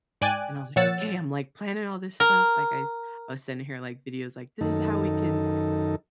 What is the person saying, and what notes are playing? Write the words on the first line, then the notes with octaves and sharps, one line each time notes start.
And I was like, "Okay. I'm, like, planning all this stuff." Like, I I was sending her, like, videos, like, "This is how we can
G#2 D5 G5 G#5 D6 F#6
A#2 F3 C#5 F#5 E6 A6
A#4
F#2 D#3 D#4 A4